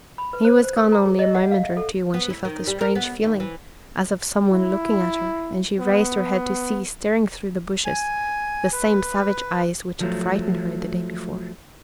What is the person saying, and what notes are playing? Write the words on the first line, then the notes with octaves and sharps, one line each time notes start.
He was gone only a moment or two when she felt a strange feeling as of some one looking at her, and she raised her head to see, staring through the bushes, the same savage eyes which had frightened her the day before.
B5
B4
C5
C5
A#4
A#5
G#4
D#5
F#5
F5
E5
A4
B3
E4
D#3
G3
A#4
B3
D#2
E3
E4
B3
G#5
B4
F3 F#3 A3